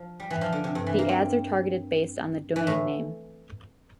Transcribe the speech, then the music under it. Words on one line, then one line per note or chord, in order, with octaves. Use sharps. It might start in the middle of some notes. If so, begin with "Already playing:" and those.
The ads are targeted based on the domain name.
Already playing: F3
G3
E3
F3
D3
C3
G2
E3
A#3
C4
E3
A2